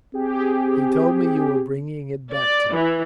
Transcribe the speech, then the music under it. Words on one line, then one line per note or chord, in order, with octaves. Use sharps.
"He told me you were bringing it back to me."
C4 G4 G#4
D5
E3